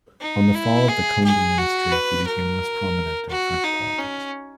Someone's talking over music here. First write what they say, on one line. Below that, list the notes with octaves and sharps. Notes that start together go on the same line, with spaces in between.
On the fall of the Combes ministry he became less prominent in French politics.
D#4
E4
G#4
G#4
F#4
B4
A#4
F#4
D#4
C#4